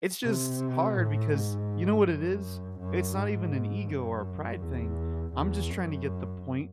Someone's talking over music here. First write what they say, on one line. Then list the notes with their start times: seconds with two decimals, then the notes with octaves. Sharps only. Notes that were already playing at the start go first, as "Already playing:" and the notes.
It's just hard because, you know what it is? It's not even an ego or a pride thing, I'm just trying to get the point
0.25 C3
0.97 A2
1.34 G#2
2.06 F#2
2.80 F#2
3.16 G#2
3.88 F#2
4.62 E2
5.34 E2
5.70 F#2